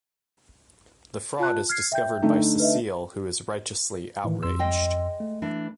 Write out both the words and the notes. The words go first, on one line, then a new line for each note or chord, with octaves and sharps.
The fraud is discovered by Cecile who is righteously outraged.
F4 A5 F#6
F6 G#6 C7
E5 G5 G6
D3 A3 D#4
B4 D#5 E5
A2 D#3 E3
F2 C6 E6
G#3 D#5 G5
A3
E3 D4